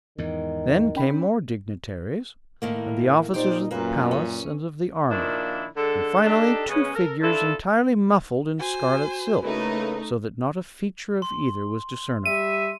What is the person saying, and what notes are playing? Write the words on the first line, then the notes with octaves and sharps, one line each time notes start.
Then came more dignitaries, and the officers of the palace and of the army, and finally two figures entirely muffled in scarlet silk, so that not a feature of either was discernible.
E2 G#2 D#3 E3
C#4 G5 B5
A2 D#3 A#3
A#2 D#4 G4 C5 D5
F#2 A#2 A#3 B4
C#4
A#2 D#3 F3 D4 E4
D3 G#3 A4
D4 D#4 G4 A4
C#3 G#3 B3 C#4
A4 A#4
D4 E4 F4 A4
F#4 C5 G#5
C#3 A3 A#3 D#4 E4 B4
C6
G3 E5 D#7